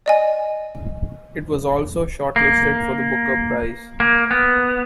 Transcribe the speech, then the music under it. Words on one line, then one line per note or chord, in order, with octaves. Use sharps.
It was also shortlisted for the Booker Prize.
D5 D#5 G#5
A#3
A#3
B3